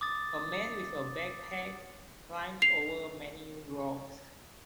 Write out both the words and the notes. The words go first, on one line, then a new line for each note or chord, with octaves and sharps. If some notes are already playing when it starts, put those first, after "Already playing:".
A man with a backpack climbs over many rocks.
D6 D#6 A6
C7 F7